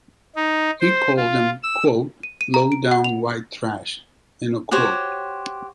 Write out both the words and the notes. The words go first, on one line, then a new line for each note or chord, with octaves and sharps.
He called them "low down white trash".
D#4
C5
F4
E6
D#7
D#7
A#5
D7
F#5
F7
F#4 G4 C5 C#5